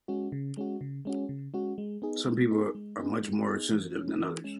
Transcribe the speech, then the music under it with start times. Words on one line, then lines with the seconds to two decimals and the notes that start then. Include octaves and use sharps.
Some people are much more sensitive than others.
0.08 G#3 C#4 F#4
0.32 C#3
0.57 G#3 C#4 F#4
0.81 C#3
1.05 G#3 C#4 F#4
1.29 C#3
1.54 G#3 C#4 F#4
1.78 G#3
2.02 B3 D#4 G#4
2.26 G#3
2.51 B3 D#4 G#4
2.75 G#3
2.99 B3 D#4 G#4
3.23 G#3
3.47 B3 D#4 G#4
3.72 E3
3.96 G#3 C#4
4.20 E3
4.44 G#3 C#4